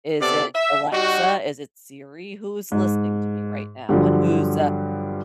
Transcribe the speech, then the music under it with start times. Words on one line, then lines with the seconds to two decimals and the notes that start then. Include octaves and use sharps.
is it Alexa, is it Siri, who's listening to me right now, and who's, uh,
0.21 C3 B3 A4 D5
0.55 E5
0.91 G3 D#4 F#4
2.72 G#2
3.89 G2 D3 F3 F#3